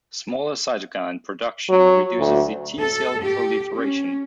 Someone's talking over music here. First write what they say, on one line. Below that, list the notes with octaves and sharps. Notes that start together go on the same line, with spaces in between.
Smaller cytokine production reduces the T cell proliferation.
F#3
D2
A4
G4
C#4